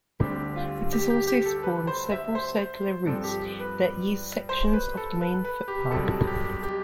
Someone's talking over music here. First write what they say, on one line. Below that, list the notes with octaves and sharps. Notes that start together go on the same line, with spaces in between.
It has also spawned several circular routes that use sections of the main footpath.
D2 D3 G3 C4 G4
F4
G4
G4
G4
A4
B4
C5
E5
C5
G2 F3 C4 A4
G4
B4
C5
B4
A4
B4
B4
G4
B1 B2 G3 C4 A4
G4
G4